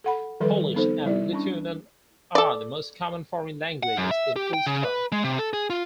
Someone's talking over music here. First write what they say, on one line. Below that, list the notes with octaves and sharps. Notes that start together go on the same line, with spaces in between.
Polish and Lithuanian are the most common foreign languages in Ulster.
A4 F#5 B5
D#3 F3 G3 A4 B4 C6
B3 C4 D#4 A4 C5
G3 E4 D5
C#4 D4 C#6
A4 D5
F#5
F#2
E5
G4
G5
C#3
B4
G#3
C3
A4
G#4
F4